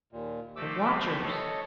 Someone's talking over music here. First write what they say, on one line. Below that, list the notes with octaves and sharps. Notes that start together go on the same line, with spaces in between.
The watchers!
D#2 A#2
C3 F3 A3 D6 E6
C4
A4 C#5 D#5